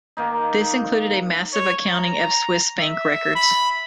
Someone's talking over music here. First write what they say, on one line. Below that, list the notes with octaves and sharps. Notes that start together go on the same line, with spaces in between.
This included a massive accounting of Swiss bank records.
D#3 A#3 D#4
C#5
A#5
E5
B5